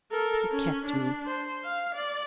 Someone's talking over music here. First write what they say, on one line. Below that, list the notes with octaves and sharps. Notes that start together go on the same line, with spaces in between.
"He kept me."
A4 A#4
C#4
D4
C5
F5
D5